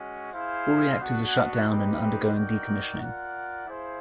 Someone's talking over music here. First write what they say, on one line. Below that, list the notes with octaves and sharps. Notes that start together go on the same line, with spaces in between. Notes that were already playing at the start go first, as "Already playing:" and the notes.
All reactors are shut down and undergoing decommissioning.
Already playing: G#3 C#4 F#4
E4 G#4 C5 F5
B3 D4 F#4
G3 C4 D#4 G4 B4
D#4 F#4 A#4 D5 G5
F4 A#4 D5 F#5
E4 G#4 C5 F5